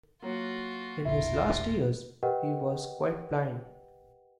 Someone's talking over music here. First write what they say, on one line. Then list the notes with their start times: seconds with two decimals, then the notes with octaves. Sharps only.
In his last years he was quite blind.
0.22 F#3 A#3 F4 F#4
1.05 E1 A#1 E4 F4 A#4 E5
2.23 G4 A#4 B4 D#5 F#5 G5